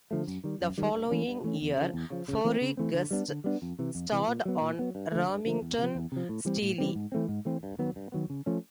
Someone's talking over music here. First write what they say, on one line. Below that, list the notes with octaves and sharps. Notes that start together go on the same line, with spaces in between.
The following year, Furey guest starred on "Remington Steele".
D3 F3 A3
F#2
D#3 G3
F#2
D#3 G3
G2
E3 A3 C#4
G2
E3 A3 C#4
E2
C#3 F3
E2
C#3 F3
C#3
E3 A3 C4
C#3
E3 A3 C4
D3
G3 B3 D4
D3
G3 B3 D4
F2
C3 E3
F2
C3 E3
A#2
F#3 B3
A#2
F#3 B3
G2
D3 F3 A3
G2
D3 F3 A3
E2
C3 F3
E2
C3 F3
A2
E3 G3 C4
A2
E3 G3 C4
G#2
E3 A3 C4
G#2
E3 A3 C4
G2
D#3 F#3 B3
G2
D#3 F#3 B3
C#3
F3 A3 C#4